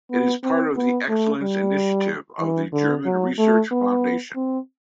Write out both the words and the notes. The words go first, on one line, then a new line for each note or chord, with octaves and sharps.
It is part of the Excellence Initiative of the German Research Foundation.
B3
C4
B3
A3
G3
E3
D3
F#3
A3
B3
C4